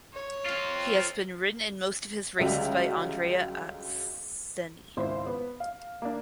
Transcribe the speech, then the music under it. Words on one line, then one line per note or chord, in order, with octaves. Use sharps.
He has been ridden in most of his races by Andrea Atzeni.
C#5
C4 F4
C#2 D3 F#3 G3 E5
G#1 C#2 E4 C5
B3
F5
A#3 D4